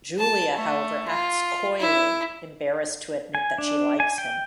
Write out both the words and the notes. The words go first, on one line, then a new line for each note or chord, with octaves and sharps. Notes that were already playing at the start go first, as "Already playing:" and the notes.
Julia, however, acts coyly, embarrassed to admit that she likes him.
A5
A3
F4
E4
G#5
D4
G#5
G5